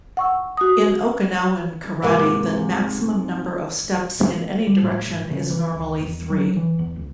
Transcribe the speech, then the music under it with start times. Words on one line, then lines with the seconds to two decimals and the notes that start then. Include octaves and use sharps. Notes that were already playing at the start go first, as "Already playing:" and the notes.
In Okinawan karate the maximum number of steps in any direction is normally three.
0.17 F#5 C#6 E6
0.57 F#4 D#6
2.02 G#2 C3 A#3
4.67 G3
4.83 A2
5.07 G#1
5.31 C#3
5.50 E3
5.74 C#2
6.01 E2
6.30 F#3
6.57 E3
6.79 E2
6.96 C#2